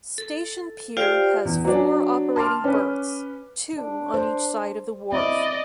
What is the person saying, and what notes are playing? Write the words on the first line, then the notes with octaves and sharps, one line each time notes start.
Station Pier has four operating berths, two on each side of the wharf.
A4
F4 G4 C5 D5 F5 G5
E2
F#3 D4
A5 C6 D6 F6
C#4 B4
D4
C5
C4 E4 D5 D#5